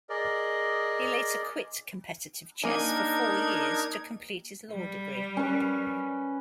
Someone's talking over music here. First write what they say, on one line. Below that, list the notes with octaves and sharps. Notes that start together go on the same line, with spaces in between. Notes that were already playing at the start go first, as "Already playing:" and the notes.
He later quit competitive chess for four years to complete his law degree.
G#4 A#4 D5 D#5
A#3 D4 D#4 A#4 G#5 G#6
G3
C#4 B4